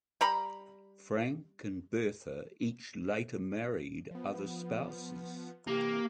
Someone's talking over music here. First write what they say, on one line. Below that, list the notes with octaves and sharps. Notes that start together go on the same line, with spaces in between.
Frank and Bertha each later married other spouses.
G3 A#5 B5
F3 B3
C3 E3 A#3 G4